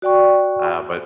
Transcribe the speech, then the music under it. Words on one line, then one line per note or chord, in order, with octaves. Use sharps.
Uh, but
F#4 D5 G5 C#6